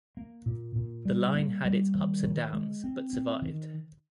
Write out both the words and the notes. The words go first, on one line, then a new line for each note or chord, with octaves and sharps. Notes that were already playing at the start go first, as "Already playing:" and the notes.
The line had its ups and downs, but survived.
A#3
A#2
A#2
G3
A#3
G3
D#3
D#3
G#3
C4
C4
D#3